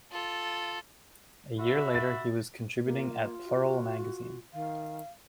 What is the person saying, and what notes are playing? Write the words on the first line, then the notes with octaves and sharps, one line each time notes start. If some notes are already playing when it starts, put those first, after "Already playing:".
A year later he was contributing at "Plural" magazine.
F4 A4
F#4 E5 B5
A6
A#3 F4
F#4
D#3 F5